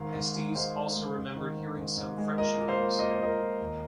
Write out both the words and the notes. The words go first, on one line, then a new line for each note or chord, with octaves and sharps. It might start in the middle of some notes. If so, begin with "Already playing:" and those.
Estes also remembered hearing some French names.
Already playing: G#2 D#3 F5
G#2
G#3
G#3 C5 F5
G#3
G#3
G#2
D#3
G#2
G#2
G#2
G#3
A#2 A#4 D#5
A#2
C5 F5
A#3
A#2 D#5
C5
A#2 A#4 D#5
A#2
D#2